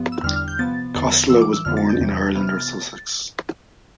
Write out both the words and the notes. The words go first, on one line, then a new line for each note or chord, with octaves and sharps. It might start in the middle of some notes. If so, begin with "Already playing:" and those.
Costello was born in Ireland or Sussex.
Already playing: G2 F3 B3
E6
E2 D3 G3 D4 F6
F6
G6
C3 F3 B3 A6
E2 D3 F3 B3
A2 E3 G3 E6
D6
E6
F2 D3 F3 B3 D4 F6
A6
G6
E2 C3 E3
C3 E3 B3 F6
F6
A6